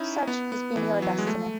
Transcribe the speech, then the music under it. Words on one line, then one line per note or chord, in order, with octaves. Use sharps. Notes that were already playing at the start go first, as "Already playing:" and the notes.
Such has been your destiny.
Already playing: C#4 D#4 E4
B3
B3
E3
F#3
G#3
A3